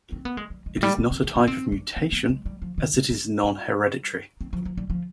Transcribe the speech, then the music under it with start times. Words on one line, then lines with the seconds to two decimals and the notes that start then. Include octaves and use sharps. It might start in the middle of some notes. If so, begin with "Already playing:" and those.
It is not a type of mutation, as it is non-hereditary.
0.12 C4
0.25 B3
0.37 G#3
0.50 G3
0.66 G#3
0.77 F3
0.83 G3
0.99 B3
1.11 C4
1.23 D4
1.36 D4
1.48 C4
1.72 D4
1.97 C4
2.13 B3
2.29 G#3
2.46 G3
2.62 F3
2.78 D#3
2.94 G3
3.10 B3
3.43 G3
4.41 C4
4.53 F3
4.65 F3
4.77 G3
4.90 F3